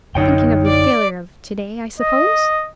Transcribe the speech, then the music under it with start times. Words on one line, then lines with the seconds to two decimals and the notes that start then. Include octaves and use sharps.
"Thinking of your failure of to-day, I suppose?"
0.15 F#2 D3 F#3 D#4 C#5 G5
0.66 D5 D6
2.00 D#5